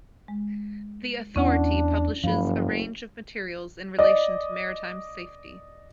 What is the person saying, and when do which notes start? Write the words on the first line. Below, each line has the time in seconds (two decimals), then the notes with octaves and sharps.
The Authority publishes a range of materials in relation to maritime safety.
0.28 G#3
1.36 E2 B3 C#4 D4 E4 F#5
2.24 F#1 G2 F3 C#4 F5 B5
3.99 D5 D#5